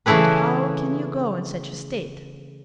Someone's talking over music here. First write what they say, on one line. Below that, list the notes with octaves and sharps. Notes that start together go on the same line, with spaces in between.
But how can you go in such a state?
C#3 E3 A3 E4 G#4 B4